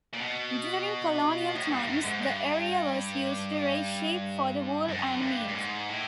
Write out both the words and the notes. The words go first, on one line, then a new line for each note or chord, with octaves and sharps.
During colonial times the area was used to raise sheep for wool and meat.
A#2
B2
A2
G2
F#2
G#2
G2
F#2
G2
G2
G#2
A2